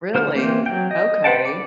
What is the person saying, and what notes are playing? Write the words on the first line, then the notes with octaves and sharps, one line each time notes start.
Really? Okay.
D3 C5 F6
E3 A#3 C4 G4 C5
F#3 G5
D#5
B4 C5 F#5 G5 A5
D5 D6